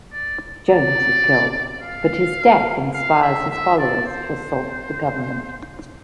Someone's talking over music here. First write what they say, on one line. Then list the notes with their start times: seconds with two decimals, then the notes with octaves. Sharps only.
Jones is killed, but his death inspires his followers to assault the government.
0.12 D5
0.69 D5
1.82 F5
2.94 F5
3.22 E5
3.50 E5
3.78 D5
4.07 C5